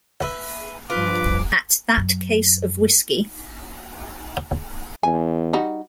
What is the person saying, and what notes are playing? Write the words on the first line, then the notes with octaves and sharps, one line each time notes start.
At that case of whiskey?
B4 E5
G2 F3 F4 B4 D6
F#2
E2 G#5
G3 D#4 F#4